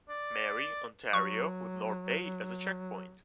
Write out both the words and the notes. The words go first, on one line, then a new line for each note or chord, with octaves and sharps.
Marie, Ontario, with North Bay as a checkpoint.
D5
F#3 C#6